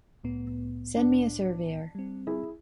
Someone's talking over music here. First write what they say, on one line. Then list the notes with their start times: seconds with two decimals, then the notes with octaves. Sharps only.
Send me a surveyor.
0.24 C2 A2 B3
0.96 D4
1.95 G3 C4
2.27 E4 G#4